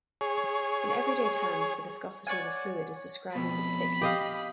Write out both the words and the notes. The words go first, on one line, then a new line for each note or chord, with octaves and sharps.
In everyday terms, the viscosity of a fluid is described as its "thickness".
G#4 C#5
C#5 D5 F#5 G#5
F2 B2 B5
G4 D#5 F5